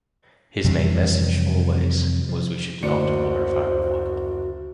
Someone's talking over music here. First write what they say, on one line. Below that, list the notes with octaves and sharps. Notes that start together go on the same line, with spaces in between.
His main message always was we should not glorify war.
F2 C3 E3 G3
F3
F#1 D2 F#4 C5 D5 C#7
F#4